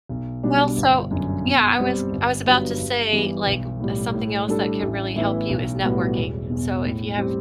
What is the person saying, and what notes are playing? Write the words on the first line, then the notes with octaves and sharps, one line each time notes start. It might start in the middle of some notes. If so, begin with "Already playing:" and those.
Well, so Yeah, I was I was about to say, like, w uh, something else that can really help you is networking, so, if you have
B1
B2 G3 D4
G1
F#2 D3
B2
G3 C4
G1
G2 F#3 B3
G2
E3 G3 B3
B1
A2 G3
A2
G3 D4 A4
A1
A2 E3 B3 E4
B1
A2 G3 B3 F#4
E1
E2 B2
A2
G3 C4 G4